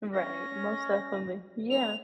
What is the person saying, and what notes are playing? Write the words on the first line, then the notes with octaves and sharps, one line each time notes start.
Right, most definitely. Yeah.
C#4 A#6
B3 A4 F7